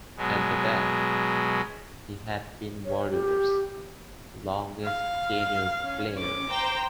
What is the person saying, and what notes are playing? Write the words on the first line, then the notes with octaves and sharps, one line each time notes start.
At the time, he had been the Warriors' longest-tenured player.
B2 F#3 G#3
C#5
G4
F5
C#4
D6
C5 G5 A#5